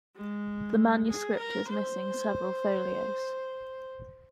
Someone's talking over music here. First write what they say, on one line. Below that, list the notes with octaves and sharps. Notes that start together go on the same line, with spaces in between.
The manuscript is missing several folios.
G#3
G#4
A#4
C5